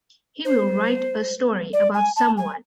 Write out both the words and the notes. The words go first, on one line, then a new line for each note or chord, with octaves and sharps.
He will write a story about someone.
C5
D5
G#5
A5
G#5